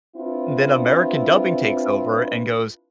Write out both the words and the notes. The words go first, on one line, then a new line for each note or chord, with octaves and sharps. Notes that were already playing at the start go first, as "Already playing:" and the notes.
Then American dubbing takes over and goes,
C4 D4 E4 F4 B4